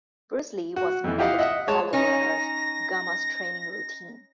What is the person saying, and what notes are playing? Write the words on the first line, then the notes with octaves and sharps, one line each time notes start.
Bruce Lee was an avid follower of Gama's training routine.
F#4
F2 E3
E4 F4 G4 D#5 F5 F#5
D#5 E5 F#5
G#3 C#5 A5
C#4 D#4 A#6